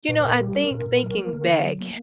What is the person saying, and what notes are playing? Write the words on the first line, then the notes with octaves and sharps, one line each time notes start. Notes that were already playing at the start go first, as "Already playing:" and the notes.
You know, I think thinking back,
A#2 B4
A#2 A#4
G3 G4
C#4 A#4
A#2
A#2
F#3
A#3
D3
D3
F#3
A#3